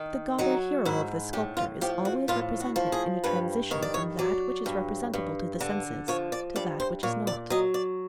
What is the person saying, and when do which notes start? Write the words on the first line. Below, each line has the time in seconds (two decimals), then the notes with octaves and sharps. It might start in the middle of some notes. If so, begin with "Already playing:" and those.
The god or hero of the sculptor is always represented in a transition from that which is representable to the senses, to that which is not.
Already playing: D#3
0.38 F#3 D#4
0.85 G#2 E4
1.33 A2 G4
1.57 F4
1.81 F3 G4
2.05 F#4
2.28 A2 F4
2.60 F#4
2.76 F3
2.92 G#4
3.24 G2 B4
3.71 D#3 C#5
3.82 D5
3.94 C#5
4.19 F#3 D5
4.66 G2
5.14 G2
5.61 D3
6.08 F3 C#5
6.32 D5
6.56 G2 D5
6.80 C5
7.03 A#2 C#5
7.27 D5
7.50 F#3 D#5
7.74 D5